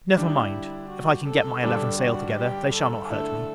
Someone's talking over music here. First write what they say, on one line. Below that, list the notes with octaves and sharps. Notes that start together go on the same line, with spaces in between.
Never mind; if I can get my eleven sail together, they shall not hurt me.
D3 G3 D4 E4
F#4
A4
G2 D3 G3 D4 A4
F#4
G4
A4
D3 A3 E4 A4